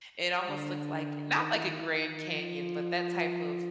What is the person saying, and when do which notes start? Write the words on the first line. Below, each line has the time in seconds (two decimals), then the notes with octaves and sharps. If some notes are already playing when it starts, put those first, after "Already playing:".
it almost looked like not like a Grand Canyon, but that type of,
0.49 D3
1.39 D#3
1.53 E3
1.65 D#3
1.79 E3
1.91 D#3
2.30 F3